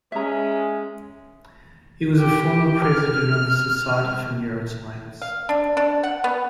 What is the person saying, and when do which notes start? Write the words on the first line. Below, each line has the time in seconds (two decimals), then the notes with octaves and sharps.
He was a former president of the Society for Neuroscience.
0.12 G#3 C#4 E5 A#5
2.19 G4
2.86 F6
5.22 F5
5.49 D4
5.77 D4
6.03 F#5
6.24 B3